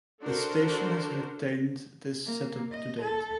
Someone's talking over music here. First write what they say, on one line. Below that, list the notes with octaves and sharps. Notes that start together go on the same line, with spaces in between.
The station has retained this set-up to date.
D4 F#4 A4 A#4 C5
A#3
D#5
A4